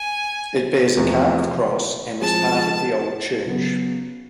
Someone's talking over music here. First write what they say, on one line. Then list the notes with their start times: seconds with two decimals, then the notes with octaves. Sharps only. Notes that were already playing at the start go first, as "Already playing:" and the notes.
It bears a carved cross and was part of the old church.
Already playing: G#5
0.97 E2 C3 F3 A3 C4
2.21 F3 G#3 C4 F4 G#4 A5
3.46 C#3 F#3 B3